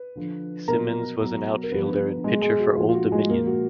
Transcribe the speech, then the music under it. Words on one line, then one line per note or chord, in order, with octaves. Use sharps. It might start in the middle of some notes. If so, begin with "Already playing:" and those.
Symmonds was an outfielder and pitcher for Old Dominion.
Already playing: B4
D3 F3
B2 F#3 A#4 A#5
B2 F#3
A#4
D3 F3 B3 B4
B2 F#3 G#3 G#4
G#3 G#4
F#4
A#2 F3 F4
F4
F#4
G#3 G#4
A#2 F3 A#3 A#4
F#4